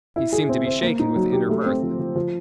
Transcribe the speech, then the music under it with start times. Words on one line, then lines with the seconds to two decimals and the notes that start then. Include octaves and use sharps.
He seemed to be shaken with inner mirth.
0.16 E4
0.33 G#4
0.49 C4
0.66 C5
0.82 A#3
1.00 D#4
1.16 F#3
1.32 G4
1.49 A3
1.66 C4
1.82 F3
1.99 F3
2.16 F3